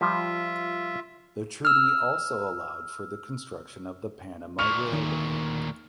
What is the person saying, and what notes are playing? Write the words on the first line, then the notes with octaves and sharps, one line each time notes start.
The treaty also allowed for the construction of the Panama Railway.
F3 G3 F4 E5
E6 F6
D2 A#2 C#6 F6 F7
D#2 D#3